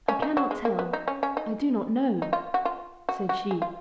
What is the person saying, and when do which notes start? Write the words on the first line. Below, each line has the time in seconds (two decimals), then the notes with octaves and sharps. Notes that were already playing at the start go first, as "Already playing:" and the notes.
"I cannot tell; I do not know," said she.
0.08 C#4
0.22 D#4
0.37 F#3
0.51 G#3
0.65 A#3
0.79 B3
0.93 D#4
1.08 C#4
1.23 C#4
1.37 D#4
2.22 D#4
2.33 F4
2.54 F#4
2.65 F4
3.09 F#4
3.29 F#4
3.51 G#4
3.62 F4